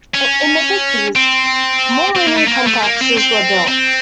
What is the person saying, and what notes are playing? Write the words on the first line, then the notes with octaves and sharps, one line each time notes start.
In the fifties, more living complexes were built.
C#4
C4
C4
A#3
A3
A#3
A3
A#3
C4
C4
C4